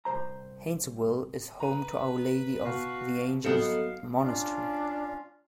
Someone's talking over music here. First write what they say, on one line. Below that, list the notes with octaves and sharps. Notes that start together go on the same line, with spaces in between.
Hanceville is home to Our Lady of the Angels Monastery.
C2 G#2 C5 A#5
B4 A#5 D#7
B2 F#4 F5
F#3 B3 D#4 A4 F5 C#7 E7
C#4 D4 F4 F5